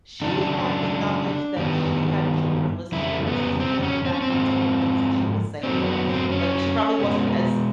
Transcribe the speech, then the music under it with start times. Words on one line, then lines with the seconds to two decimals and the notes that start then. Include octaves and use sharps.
she had the knowledge that she had children listening to her, so she held back on some of the things that she was saying, and, like, she probably wasn't as
0.21 C#3 F#3 A3 D4
1.57 G2 D#3 G3 B3
2.92 F2 C#3 E3 G3 E4
3.26 B3
3.60 C4
3.83 C#4
4.05 C4
4.13 C#4
4.22 C4
4.29 G#2 F3 A#3
5.63 F#2 D3 F#3 A#3 C4
5.86 B3
6.09 C4
6.31 C#4
6.99 B2 G#3 B3